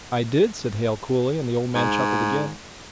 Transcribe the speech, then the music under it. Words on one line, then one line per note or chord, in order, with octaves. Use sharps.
"I did," said Hale coolly, and the old man chuckled again.
G#2